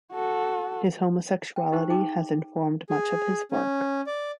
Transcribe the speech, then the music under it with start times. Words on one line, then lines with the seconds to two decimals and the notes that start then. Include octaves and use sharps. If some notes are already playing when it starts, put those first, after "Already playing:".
His homosexuality has informed much of his work.
0.12 F#4 A4
1.56 G5
1.72 D#4 G4 A#4 C5 F#5
1.90 D#4 G#4 G5 D6
2.89 G#4
3.51 C#4
4.07 D5